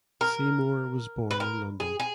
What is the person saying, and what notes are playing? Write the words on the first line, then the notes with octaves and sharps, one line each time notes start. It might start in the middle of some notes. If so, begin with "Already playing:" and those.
Seymour was born in London.
A#4
B4
A#4
G#4
G#4